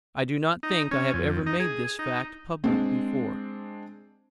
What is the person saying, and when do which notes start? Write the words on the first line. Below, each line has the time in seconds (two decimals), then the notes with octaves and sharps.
I do not think I have ever made this fact public before.
0.63 D#4
0.91 C#4
1.14 F2
1.46 D#4
1.60 G#4
1.99 D#4
2.64 G#3 C4 D4